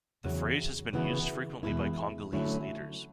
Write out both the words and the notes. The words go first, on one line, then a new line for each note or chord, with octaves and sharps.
The phrase has been used frequently by Congolese leaders.
E2 C#3 F#3
C#3 E3 B3 F#4
E2 B2 G#3 B3 E4
D3 F#3 A3 C#4 E4